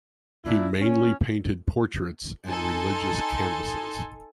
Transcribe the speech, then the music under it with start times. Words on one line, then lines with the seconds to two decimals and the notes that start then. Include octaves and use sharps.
He mainly painted portraits and religious canvases.
0.45 A#2 D4 E4
0.81 C#4
2.47 D#4 A4 G#5 A5 C6